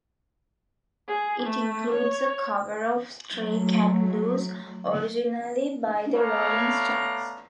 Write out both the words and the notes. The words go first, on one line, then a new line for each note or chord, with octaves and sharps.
It includes a cover of "Stray Cat Blues" originally by The Rolling Stones.
G#4
A3
C#5
F#3 A3
A3 B3 C#5 D5 F5 A#5